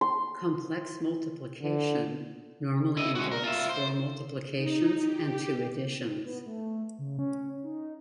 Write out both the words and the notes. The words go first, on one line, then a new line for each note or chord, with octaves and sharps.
Complex multiplication normally involves four multiplications and two additions.
C6
D3
E4 D#5
G#3 F#4
A#4
F4 E5
C5
D#4
G4
B3
A3
C#3
C#4
D#4